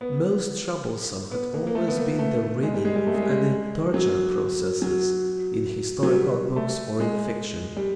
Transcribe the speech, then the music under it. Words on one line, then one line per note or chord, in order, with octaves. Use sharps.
Most troublesome had always been the reading of any torture processes in historical books or in fiction.
B3
B3
A#3
A#3
A3
B3
A#3
A3
G#3
G3
G#3
G3
A3
G#3
G3
G#3
F#3
F#3
F#3
G3
A3
G#3
G3